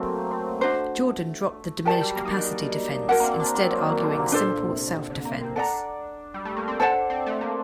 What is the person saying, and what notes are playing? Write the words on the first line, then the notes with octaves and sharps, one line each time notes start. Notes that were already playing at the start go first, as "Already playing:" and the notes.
Jordan dropped the "diminished capacity" defense, instead arguing simple self-defense.
Already playing: F#3 A3 A#3 C4
C4
A3 D4 F#4 C5
F#3 G4 A#4 D5 A5
G3
A#3
D#4
D4
D4 F#4 A#4 F#5
A#3
C4
D4
C4
F#3
D#3
D3
C3
A#2 D4 A4 C5
A#2
C3
A#2
D3
C3
D3
A#3
C4
D4 A4 D5 F#5 A#5
G3
A3
A#3
C4
D4 A4 C5 F#5 A5
C4
A3
A#3